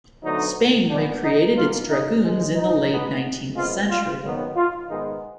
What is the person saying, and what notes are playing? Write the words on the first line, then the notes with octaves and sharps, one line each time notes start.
Spain recreated its dragoons in the late nineteenth century.
D2 D3 F#3 B3 D#4
A#2 G#3 B3 D4
D#4
B2 A#3 F4
D#4
D#2 D#3 G#3
D#4
B2 G#3 B3
F#2 F3 G#3 B3 F4
F4
G#2 D#3 F#3 B3
F4
G#2 D#3 G#3 B3 D#4